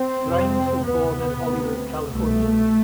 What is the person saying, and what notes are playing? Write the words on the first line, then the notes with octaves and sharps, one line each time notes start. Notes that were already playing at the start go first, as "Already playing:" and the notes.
Grimes was born in Hollywood, California.
Already playing: C4
F2 C3
D2 C3 B3
D2 C3
C2 B2 A3